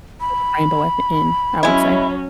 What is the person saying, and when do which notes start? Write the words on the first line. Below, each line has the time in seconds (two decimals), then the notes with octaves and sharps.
there's a rainbow at the end, I would say.
0.21 B5
1.63 F#3 G#3 C#4 E4